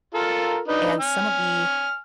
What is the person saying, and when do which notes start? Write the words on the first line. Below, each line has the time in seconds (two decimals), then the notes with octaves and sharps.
and some of the
0.14 F4 A4 A#4
0.68 D4 D#4 B4
1.00 G#5 F6